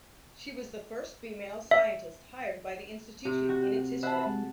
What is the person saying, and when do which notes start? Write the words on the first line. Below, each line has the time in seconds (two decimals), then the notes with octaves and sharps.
She was the first female scientist hired by the institution in its history.
1.71 E5
3.25 C3 G4
3.49 F#4
4.03 C5 E5 F#5 A5 B5
4.26 G#3